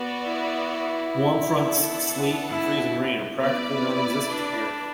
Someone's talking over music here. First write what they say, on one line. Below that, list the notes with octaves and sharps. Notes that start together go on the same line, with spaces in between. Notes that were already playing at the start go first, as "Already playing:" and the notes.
Warm fronts, sleet, and freezing rain are practically non-existent here.
Already playing: B3 F#4 D5
E4
E4
B3 D4 A4 F#5 A5
E4
B3 E4 B4 D5
D4